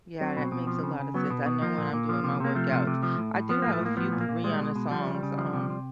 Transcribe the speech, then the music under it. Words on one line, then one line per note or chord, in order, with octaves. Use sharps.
Yeah, that makes a lotta sense, I know when I'm doing my workout. I do have a few p Rihanna songs, um,
F#3 C4
B2
B2
F3
C#3
C#3
F#3 B3
B2
B2
F3 A#3
A#2
A#2
F3
C3
C3 A#3
F3 A3
C3
C3
F3
A2
A2
F3 B3
A2 A#3
A3
A2 A#3
F3 B3
A#2
A#3
A#2
G3 G#3
B2
B2
F3 G3
C#3
G3
C#3
F3
C3
C3